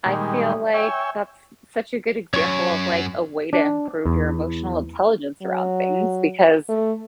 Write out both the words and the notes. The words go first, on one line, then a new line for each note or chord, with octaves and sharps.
I feel like that's such a good example of, like, a way to improve your emotional intelligence around things because
A#2 D#3 G3 G#3
C#5 E5 G5 G#5
F#2 C#5 C#6
D4
E2
F#3
A3